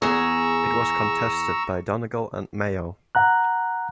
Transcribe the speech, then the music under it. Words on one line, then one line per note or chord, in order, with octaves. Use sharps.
It was contested by Donegal and Mayo.
E2 G#4 A#5 C#6 E6
F#5 A#5 F#6